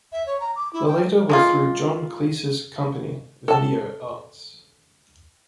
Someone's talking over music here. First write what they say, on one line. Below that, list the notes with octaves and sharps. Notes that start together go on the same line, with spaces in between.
The latter were through John Cleese's company Video Arts.
E5
C#5
A#5
D6
E4
G5
G#3 A#3 F4
A4 A5